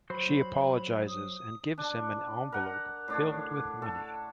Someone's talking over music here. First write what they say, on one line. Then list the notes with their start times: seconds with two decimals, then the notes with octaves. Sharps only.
She apologizes and gives him an envelope filled with money.
0.10 F#3 C5 B5
1.07 D#6
1.78 D4
2.52 A#4 F#5
3.08 A2 D4 C#5
3.82 A4